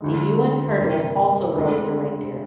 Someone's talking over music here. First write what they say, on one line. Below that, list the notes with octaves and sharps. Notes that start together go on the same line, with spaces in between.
The Ewen herders also rode their reindeer.
D2 D3 G#3
G1 F2 C3 G3 A#3
D2 D3 G#3 C4